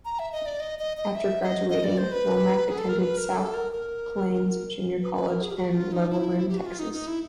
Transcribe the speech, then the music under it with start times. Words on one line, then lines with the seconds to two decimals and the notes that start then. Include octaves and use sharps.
After graduating, Womack attended South Plains Junior College in Levelland, Texas.
0.05 A#5
0.19 E5
0.32 D#5
0.46 D5
0.60 D#5
0.79 D#5
0.97 D#5
1.15 E5
1.43 D#5
1.70 D#5
1.84 D5
1.98 C5
2.12 B4
2.69 G#4
2.78 A4
2.89 A#4
2.99 B4
3.17 A#4
3.35 A4
3.54 A#4
3.72 A#4
5.01 B4
5.14 B4
5.28 A#4
5.42 G#4
5.50 G4
5.56 F#4
5.74 F4
5.93 D#4
6.10 E4
6.49 G4
6.57 F#4
6.66 F4
6.79 D#4
6.93 D#4
7.07 E4